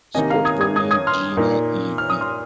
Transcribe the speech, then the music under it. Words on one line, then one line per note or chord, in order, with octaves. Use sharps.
Sportverein Jena e.V.
C3 D#3 A#3 D#4 D#5 G#5
F5 A#5
D#6 G#6
D#6 G#6
D#6 G#6
D#6 G#6
C6 F6
A#2 A#3 D#4
F6
D#6
C6 F6